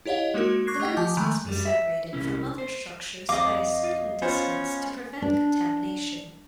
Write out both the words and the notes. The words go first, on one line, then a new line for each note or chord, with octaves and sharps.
Lagoons must be separated from other structures by a certain distance to prevent contamination.
E4 G4 C#5 D#5 F5 F#5
G#3 A#3 D#4 F#4 A#4
C#6 D6 F#6 G#6 A#6 C7
A3 G4 D#5 F#5 G5
F3 G#5 A5 D6 G6
D#3 G#3 A3 G#5 A#5 B5
F#2 G3
E5
C2 C#4 E4
C5
F2 D#5 F5 D6
B3 C#4 F4 C5
D4